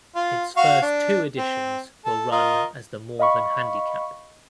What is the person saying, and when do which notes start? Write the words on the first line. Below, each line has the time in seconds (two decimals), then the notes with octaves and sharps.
Its first two editions were run as the Morven Handicap.
0.16 F4
0.57 F#4 F5 C#6
0.82 D4
1.38 C4
2.06 A4
2.32 F4 A#4 D#5
3.19 D#5 F5 B5 C#6